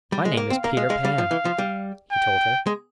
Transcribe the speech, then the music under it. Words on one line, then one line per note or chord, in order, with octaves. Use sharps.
"My name is Peter Pan," he told her.
G3
G#3
A#3
C4 F5
A#3
G#3
G#3
G3
F3
E3
F3
G3
G5
G#3